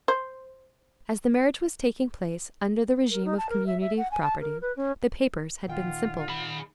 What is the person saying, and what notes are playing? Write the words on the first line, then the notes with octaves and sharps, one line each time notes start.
As the marriage was taking place under the regime of community of property, the papers had been simple.
C5
A#4
D#4
A5
A#4
E5
E5
F#5
G#5
A5
A#4
B4
C#4
A#2 D#3 F4 F#5 G5
G#4 B5